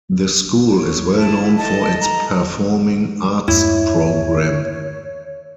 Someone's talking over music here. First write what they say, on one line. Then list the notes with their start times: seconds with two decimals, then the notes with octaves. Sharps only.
The school is well known for its performing arts program.
0.77 C#5
1.15 E4 A5
1.58 A4 D#5 A5
2.01 A#5
3.48 E2 G2 A3 E4 C#5